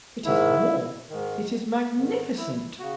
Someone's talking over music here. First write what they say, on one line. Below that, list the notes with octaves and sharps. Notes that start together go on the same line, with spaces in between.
"It is more--it is magnificent."
G#2 D#3 E4
G#2 D#3
G#2 D#3
E4
C#3 F#4